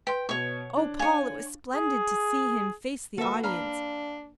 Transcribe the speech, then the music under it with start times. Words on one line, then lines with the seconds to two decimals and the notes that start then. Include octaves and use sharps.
Oh, Paul, it was splendid to see him face the audience.
0.07 B4 G5 C6
0.29 B2 C#5 C#6
0.77 D4
0.99 C#5 F5 G#5
1.74 G#4
3.18 A#3 F#4 A4 B4 E5
3.43 D4 F5 A#5 B5